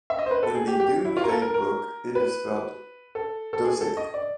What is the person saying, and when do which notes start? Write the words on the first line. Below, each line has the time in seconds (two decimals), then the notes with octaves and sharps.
In the Domesday Book it is spelt Dochesig.
0.10 E5
0.19 D#5
0.26 C5
0.31 B4
0.43 A4
0.55 G#4
0.67 G4
0.80 G4
1.05 E4
1.17 F4
1.24 A#4
1.29 A4
1.42 A#4
1.54 A#4
2.15 B4
3.15 A4
3.53 A4
3.64 G#4
3.81 A4
3.97 D#5
4.14 D5